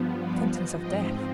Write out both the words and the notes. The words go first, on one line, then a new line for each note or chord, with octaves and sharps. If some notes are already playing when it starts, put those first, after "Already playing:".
"Sentence of death."
Already playing: G2 F3 B3
B4 D5
C5 D#5
G#2 F3 C4 D#5 G5